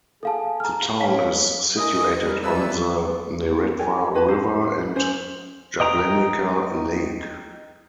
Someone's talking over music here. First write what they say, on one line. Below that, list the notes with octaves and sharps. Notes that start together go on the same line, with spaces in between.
The town is situated on the Neretva river and Jablanica lake.
G#4 A4 F5 A5
A#5 F6
C#5 F5 B6
E4 A#4 D#5 G#5 D#6
G3 G#3 A#4
E3 G3 E4 B4 D5 E6
A4 C#5 G5 G#5
F#4 B4 G#5 A5
F#4 C5
C#4 C5 G#5
D#5 G5 A#5 D#6